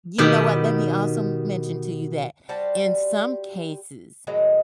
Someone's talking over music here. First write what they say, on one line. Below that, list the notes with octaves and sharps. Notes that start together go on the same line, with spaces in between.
you know what, let me also mention to you that in some cases,
B2 D#3 G4
G3 F#4 C5 A5
A2 D#3 F#3 G#3